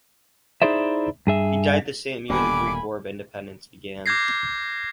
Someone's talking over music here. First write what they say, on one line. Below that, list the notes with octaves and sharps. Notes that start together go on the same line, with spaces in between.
He died the same year the Greek War of Independence began.
D#4 E4 G#4 C5 D5 E5
G2 G#4 E5
D#1 B2 D3 G3 A#3 G#5 B5 D6
D6 F6 G6 G#6 A#6 C7